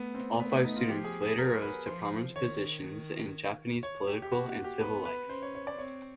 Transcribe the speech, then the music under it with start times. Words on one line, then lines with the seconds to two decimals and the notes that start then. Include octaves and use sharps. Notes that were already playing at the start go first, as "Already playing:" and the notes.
All five students later rose to prominent positions in Japanese political and civil life.
Already playing: A3 B3
0.14 C4
0.40 A3 B3
0.52 B3
0.64 D#4
0.76 F4
0.88 F3 G4
1.04 G#4
1.22 G#4
1.37 F#3 A#4
1.62 B4
1.86 F3 C5
2.36 D#3 C#5
3.83 C#5
4.07 G4
4.22 G4
4.32 A#3 F#4
4.49 F#4
4.64 G4
4.81 B3 B4
5.05 B4
5.29 C#4 C5
5.42 C#5
5.55 C#5
5.67 D5
5.79 C4 C#5